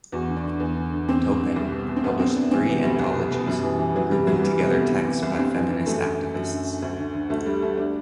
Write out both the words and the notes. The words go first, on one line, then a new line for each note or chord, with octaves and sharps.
Toupin published three anthologies grouping together texts by feminist activists.
E2 F#4
D3
D4
D3
E2
D3
D3
E2 C4
D3
D3
C2
B2
B2
C4
D2 B3
D3 C4
D3 D4
E3 C4
C3 B3
D2 G3
C2
B2
B2
F#2 G3
E3
E3
E3 F#3
C3 G3
C2 F#3
E3 G3
C3
B3
D2
E3
C3
C2
G2 C4
E3
E3
F#2 A3
D3
D3
F#2
D3
D3
D2
D3
D3
D2 A3
D3 G3
D3 A3
D4